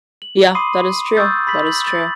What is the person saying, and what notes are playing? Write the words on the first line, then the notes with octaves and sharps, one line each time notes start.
Yeah, that is true, that is true,
F#7
B5 C6 D6 D#6 C7 D#7
C#6 D#6 E6 G6 A6
B5 A6 B6 F#7
F#7
A6